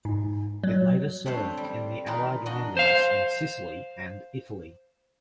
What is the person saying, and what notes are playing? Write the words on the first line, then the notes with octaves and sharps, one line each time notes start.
It later served in the Allied landings in Sicily and Italy.
G#2
F#3
A3 C4 D4 A4 C5 C#5
G3
E3 D#4 F4 A#4 B4
D4 F#4 D#5 F#5
C5 F5